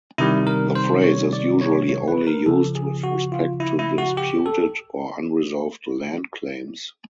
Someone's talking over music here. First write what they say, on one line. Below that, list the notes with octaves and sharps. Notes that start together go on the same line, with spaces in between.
The phrase is usually only used with respect to disputed or unresolved land claims.
C3 D#3 G3 E4
A#4
C5
C#5
D5
C#5
C#5
B4
A#4
C#3 F3 A4
G#4
F#4
F4
E4
E4
F#4
G4
A4